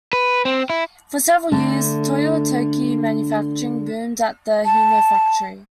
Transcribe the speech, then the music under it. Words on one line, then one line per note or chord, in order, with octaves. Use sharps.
For several years, Toyo Tokei Manufacturing boomed at the Hino Factory.
B4
C4
E4
D3 A3
A5